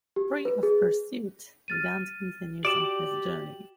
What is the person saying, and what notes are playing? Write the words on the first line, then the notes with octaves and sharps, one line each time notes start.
Free of pursuit, Gant continues on his journey.
G4
B4
G#4
F6 A6 D#7
F#4 G4 D5 E7 F#7